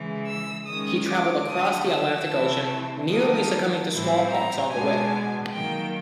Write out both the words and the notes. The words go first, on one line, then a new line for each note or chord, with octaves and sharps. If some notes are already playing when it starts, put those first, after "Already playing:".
He traveled across the Atlantic Ocean, nearly succumbing to smallpox on the way.
Already playing: C#3 E3 G#3
E6
D#3 G#3 C#4 D#6
D6
D3 F3 A3 D#6
E6
C3 E3 A3
D#3 G3 A#3 D4 D#6
A2 E3 G3 C4 E4
A#5
B2 G#3 B3 D4 G#5
D#3 F#3 A#3 G5